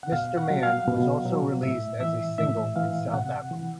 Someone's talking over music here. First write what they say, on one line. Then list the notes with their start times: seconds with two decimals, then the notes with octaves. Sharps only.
"Mister Man" was also released as a single in South Africa.
0.03 F#5
0.12 B2 F5
0.37 F#5
0.50 F#3
0.63 F5
0.88 B2
1.25 F#3
1.63 A2 E5
2.00 E3 E5
2.38 A2 E5
2.76 E3 F5
3.13 C3 F#5
3.51 E3